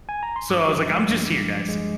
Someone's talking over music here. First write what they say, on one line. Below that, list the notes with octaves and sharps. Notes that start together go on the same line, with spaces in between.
So I was like, "I'm just here, guys,"
G#5
A#5
C6
G2 D6
F3
G#3
G2
G2
F3
G#3